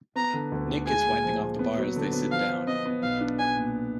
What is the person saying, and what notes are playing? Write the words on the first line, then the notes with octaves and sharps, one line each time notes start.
Nick is wiping off the bar as they sit down.
B3 A#5
D3
D2
D3
G#3 G#5
A#2
F3
A#2
B3
F#3
D3
B3
F3 F5
F3
B3 D#5
B3
B1 F5
D4
D4 G#5
A#2